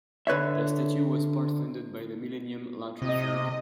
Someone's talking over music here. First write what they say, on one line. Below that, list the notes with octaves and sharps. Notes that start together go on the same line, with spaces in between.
The statue was part-funded by the millennium lottery fund.
D3 B4 C#5 E5
C3 D#5